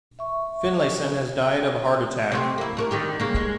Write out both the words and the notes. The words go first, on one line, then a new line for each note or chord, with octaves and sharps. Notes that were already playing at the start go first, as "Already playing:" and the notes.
Finlayson had died of a heart attack.
E5 C#6
C3 A3 C4
A#3 E4
A3 F#4 A#4
D3 D#3 G4
C#3 A#3
G#3